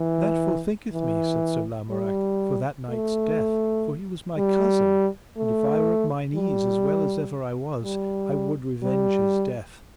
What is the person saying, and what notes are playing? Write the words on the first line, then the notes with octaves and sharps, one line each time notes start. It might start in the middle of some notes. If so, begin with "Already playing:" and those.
That forthinketh me, said Sir Lamorak, for that knight's death, for he was my cousin; and if I were at mine ease as well as ever I was, I would revenge his death.
Already playing: E3
E3
G3
A3
G3
A3
G3
G3
G3